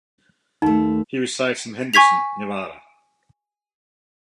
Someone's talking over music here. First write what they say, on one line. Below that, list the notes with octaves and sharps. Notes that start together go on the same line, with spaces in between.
He resides in Henderson, Nevada.
D#2 A3 D#4
G#5 C#6 G#6 B6 F7